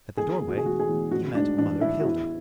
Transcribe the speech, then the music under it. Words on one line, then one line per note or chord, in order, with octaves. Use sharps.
At the doorway he met Mother Hilda.
E2 G#4
E1
F#4
G#4
E1 F#4
G#4
E2
A1 F#4
G#2 D4
A1 D4
A1 E4
F#4
E2 E4